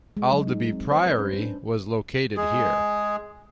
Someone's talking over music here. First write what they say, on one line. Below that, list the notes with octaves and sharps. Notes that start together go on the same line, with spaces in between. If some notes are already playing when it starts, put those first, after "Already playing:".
Aldeby Priory was located here.
G#3
F#3
D#4
C4
C5
B4
C#4
D4
G#3 G#4